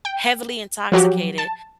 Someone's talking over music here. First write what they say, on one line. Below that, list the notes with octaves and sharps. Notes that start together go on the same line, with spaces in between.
heavily intoxicated,
G5
F3 F#3 F#4 G4
A5